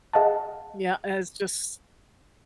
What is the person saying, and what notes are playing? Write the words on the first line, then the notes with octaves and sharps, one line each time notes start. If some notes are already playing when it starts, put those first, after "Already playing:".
Yeah, it's just
G#4 D#5 F5 F#5 A5